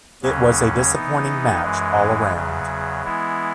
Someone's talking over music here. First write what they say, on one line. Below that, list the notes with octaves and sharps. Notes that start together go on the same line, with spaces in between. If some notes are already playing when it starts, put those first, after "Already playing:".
It was a disappointing match all round.
D#2 C#3 F#3 C#4
E3 B3 D#4
F#2 E3 G#3
E2 C#3 F#3
E3 G#3 B3 E4